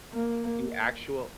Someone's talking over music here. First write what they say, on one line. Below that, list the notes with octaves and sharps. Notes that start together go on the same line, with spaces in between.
the actual
A#3